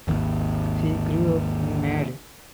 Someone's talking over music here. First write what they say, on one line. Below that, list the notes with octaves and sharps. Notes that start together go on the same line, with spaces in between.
She grew up in Made.
G#1 D#2